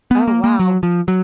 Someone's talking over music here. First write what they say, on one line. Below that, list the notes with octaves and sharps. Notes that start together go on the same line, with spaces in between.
Oh, wow.
B3
A#3
A#3
F#3
F3
F#3